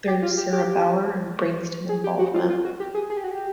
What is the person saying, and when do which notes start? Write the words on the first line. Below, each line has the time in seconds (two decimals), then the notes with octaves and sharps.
There is cereballar and brainstem involvement.
0.08 G4
0.23 F4
0.37 G4
0.53 G4
1.89 G#4
2.04 G4
2.19 F#4
2.34 F4
2.50 F4
2.65 F#4
2.80 G4
2.95 G#4
3.10 G#4
3.17 G4
3.24 F#4
3.31 G4